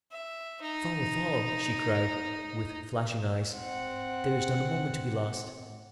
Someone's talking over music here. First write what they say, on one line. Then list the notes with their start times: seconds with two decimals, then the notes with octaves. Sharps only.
"Follow, follow!" she cried, with flashing eyes; "there is not a moment to be lost."
0.12 E5
0.62 D#4
3.55 C4 F#5